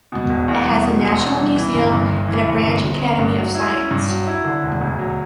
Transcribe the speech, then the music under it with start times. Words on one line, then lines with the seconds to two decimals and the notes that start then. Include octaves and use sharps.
It has a national museum and a branch academy of science.
0.12 B2
0.29 E1
0.48 E2
0.65 G3
0.84 B2
1.02 E1
1.20 E2
1.38 G3
1.56 E3
1.74 G1
1.92 G2
2.10 G1
2.28 E3
2.47 G1
2.64 G2
2.82 G1
3.00 C#4
3.18 G2
3.37 F#3
3.55 E4
3.72 C#4
3.91 G2
4.08 F#3
4.27 E4
4.45 D3
4.63 E1
4.81 D2
4.99 F#3